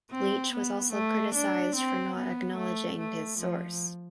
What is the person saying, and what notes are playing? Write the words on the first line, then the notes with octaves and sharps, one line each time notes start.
Leach was also criticised for not acknowledging his source.
C4
B3
A3
D4
C4
B3
A3
A3
F3